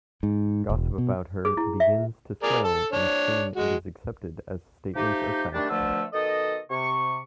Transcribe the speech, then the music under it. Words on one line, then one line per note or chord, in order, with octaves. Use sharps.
Gossip about her begins to swell and soon is accepted as statements of fact.
G#2
E1
B2
G#4
E4
E5
G#4 A#4 D5
A4 A5
D4 C#5
G#3 F#4
F3 A3 D#4 G4
D#3 G3 A3 D4
B2 D3 F3 A3 F4 E6
B2 D#3 A4 D#5
C3 C#6